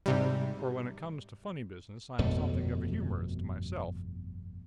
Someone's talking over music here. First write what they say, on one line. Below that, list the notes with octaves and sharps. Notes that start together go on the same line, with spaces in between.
For when it comes to funny business I'm something of a humorist myself.
G#2 C3 G3
G1 F2 B2 A3